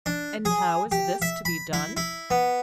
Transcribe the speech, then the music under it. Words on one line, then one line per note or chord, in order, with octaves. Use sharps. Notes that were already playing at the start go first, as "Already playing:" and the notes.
"And how is this to be done?"
D4
G#4
G4
E5
B5
E4
E4
B3